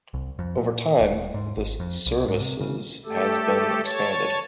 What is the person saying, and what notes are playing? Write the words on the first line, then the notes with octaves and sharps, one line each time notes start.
Over time, this services has been expanded.
C2
F2
A#2
D#1
G#2
G#1
F2
C2
G#2
C3
C#3
A3 G4 A4
C#5 A5